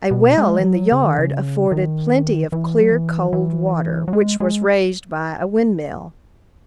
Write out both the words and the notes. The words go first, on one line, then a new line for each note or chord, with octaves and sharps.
A well in the yard afforded plenty of clear, cold water, which was raised by a windmill.
B2
G#3
E3
F#3
C#3
D#3
C#3
D#3
E3
F#3
E3
E3
F#3
G#3
G#3